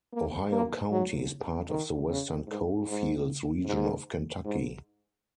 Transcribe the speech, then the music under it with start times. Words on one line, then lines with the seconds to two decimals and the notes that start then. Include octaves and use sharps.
Ohio County is part of the Western Coal Fields region of Kentucky.
0.13 A#3
0.52 A#3
0.91 F#3
1.69 D#3
2.09 C#3
2.47 G#2
2.87 G#2
3.65 G#2
4.44 G#2